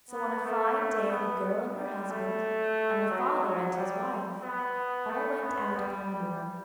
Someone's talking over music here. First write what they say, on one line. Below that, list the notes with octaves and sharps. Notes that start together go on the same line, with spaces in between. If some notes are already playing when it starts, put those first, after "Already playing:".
So on a fine day the girl and her husband, and the father and his wife all went out upon the moor.
B3
A3
B3
G3
A3
F#3
F#3
G3
B3
A3
B3
G3